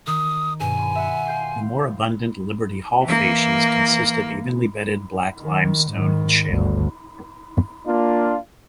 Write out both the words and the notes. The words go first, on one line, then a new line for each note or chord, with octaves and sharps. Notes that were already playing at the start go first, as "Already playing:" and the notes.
The more abundant Liberty Hall facies consist of evenly bedded black limestone and shale.
D#3 D#6
G2 B2 G#5
E5 F#5
F5 G5 C6
E3 A#3
D#3
G#2 D#3
G1 D2
A#3 D4 F4